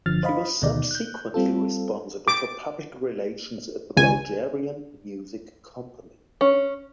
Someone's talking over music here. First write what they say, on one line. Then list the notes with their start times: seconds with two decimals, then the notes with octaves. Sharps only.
She was subsequently responsible for public relations at the Bulgarian Music Company.
0.06 G1 D3 F3 F6 A6
0.23 C5 D#5 F5 B5
0.62 D2 B2 D#3 D#4 D5
0.91 F#6 G6
1.34 G3 C4 F4 A4
2.28 D6
3.97 G#1 C#2 G#5
6.41 C#4